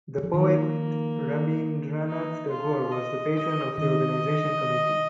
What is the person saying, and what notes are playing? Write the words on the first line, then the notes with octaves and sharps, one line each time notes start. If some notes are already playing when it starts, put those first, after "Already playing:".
The poet Rabindranath Tagore was the patron of the Organisation Committee.
F3
D#3 A#3
D#4
F4
D#5
D#5
D#3 D#5